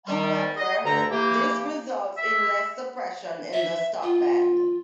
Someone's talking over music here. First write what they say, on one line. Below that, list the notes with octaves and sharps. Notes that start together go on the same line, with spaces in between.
However, this results in less suppression in the stopband.
D#3 G3
D#5
D2 G2 D3 A3 A4 A#5
E3 A#3 G4
E5
E5
F4